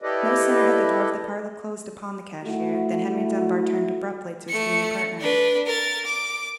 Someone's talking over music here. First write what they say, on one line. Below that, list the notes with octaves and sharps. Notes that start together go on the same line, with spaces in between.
No sooner had the door of the parlour closed upon the cashier than Henry Dunbar turned abruptly to his junior partner.
E4 G4 A4 B4 D5 D#5
A3 E4 F#4
A3 C#7
D4 B4
A#4 A6
D6